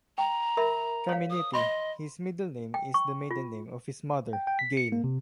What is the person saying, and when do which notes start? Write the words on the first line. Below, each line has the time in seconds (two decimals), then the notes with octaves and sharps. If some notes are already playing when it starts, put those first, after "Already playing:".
"Caminiti", his middle name, is the maiden name of his mother, Gail.
0.18 G5 A#5
0.57 A#4 E5 B5
1.09 C#5 F5
1.30 D#6
1.53 D#5 B5 C6
2.74 G5
2.94 C#6
3.31 F4
4.33 G5
4.47 G5
4.59 B6
4.77 C#7
4.92 A#3
5.04 C3